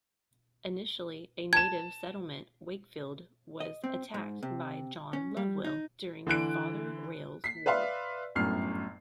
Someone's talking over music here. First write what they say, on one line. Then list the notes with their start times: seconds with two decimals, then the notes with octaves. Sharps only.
Initially a native settlement, Wakefield was attacked by John Lovewell during Father Rale's War.
1.53 A5 G#6 E7
3.60 D#5
3.84 C4
4.14 G#2
4.43 C3
5.13 C#4
5.37 G3
5.64 D#4
6.27 D3 E3 F#6 D7
7.44 B6 C7
7.66 B4 D5 E5 F5 C6
8.35 G1 F#2 A2 F6 C7